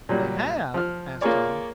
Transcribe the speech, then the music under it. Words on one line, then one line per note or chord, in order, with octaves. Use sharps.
"They have?" asked Tom.
A#2 F#3 G3
F3 F6
A#3 F4 G#4 A#4 C#5 D5